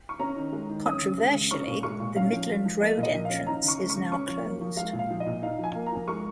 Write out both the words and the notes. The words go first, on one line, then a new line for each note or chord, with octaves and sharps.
Controversially, the Midland Road entrance is now closed.
C#6
C#4 A#5
D#3
G#3
D#3
C#4 D#6
C#3
G#3
C#3
C#4 C#6
A#2
G#3 C#6
A#2
C#4 F5
F3
G#3
F3
A#3 D#5
A#2
D#5
F3
C#4 F5
D#4 A#5
C#3 C#6
G#3
C#6
C#3
C#4 C#6
F3
A#3
F3
G#3 F5
A#2
F5
F3
D#5
A#2
D#4 F5
F3
G#5
A#3
A#5
F3
G#3 C#6